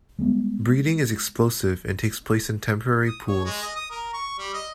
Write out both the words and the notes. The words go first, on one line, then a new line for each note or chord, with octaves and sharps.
Breeding is explosive and takes place in temporary pools.
G3 G#3 B3
D#6
C#5
G#3
D#5
D#6
A#4
C#6
G3
D#5